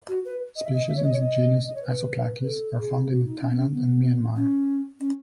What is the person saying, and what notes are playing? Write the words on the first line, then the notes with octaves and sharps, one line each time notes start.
Species in the genus "Isopachys" are found in Thailand and Myanmar.
F#4
B4
D#5
E5
D#5
E5
C#5
D#5
C#5
D#5
D#5
C#5
B4
B4
A4
G#4
F#4
D#4
C#4
B3
C#4
B3
C#4
C#4